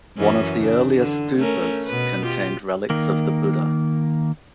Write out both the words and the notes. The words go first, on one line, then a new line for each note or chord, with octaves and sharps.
One of the earliest stupas, contained relics of the Buddha.
F#2 E3 C#4
C#3 D4
D3
A3 C#4 A#4
B2 B4
F4 G4
D#3 A#3